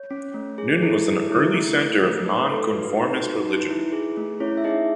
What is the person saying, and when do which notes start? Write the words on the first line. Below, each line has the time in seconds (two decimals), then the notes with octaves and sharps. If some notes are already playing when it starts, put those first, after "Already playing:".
Newton was an early centre of Nonconformist religion.
Already playing: C#5
0.11 C#4
0.34 A3
0.58 G#4
0.83 E4 A4
1.06 G#4
1.31 E4
1.54 A3
1.78 A3
2.01 A3
2.26 D#4 B4
2.50 A4
2.73 F#4 B4
2.97 D#4 B4
3.22 F#4
3.45 D#4
3.69 E4
3.92 G#4
4.17 A3
4.40 C#4 E4 C#5
4.57 E5
4.64 D#4 G#4 D#5